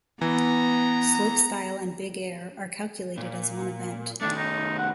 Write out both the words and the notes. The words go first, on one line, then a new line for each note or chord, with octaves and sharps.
Slopestyle and Big Air are calculated as one event.
E3 B3 A#5
A#2
D#3 A3 D4
D#4
F#5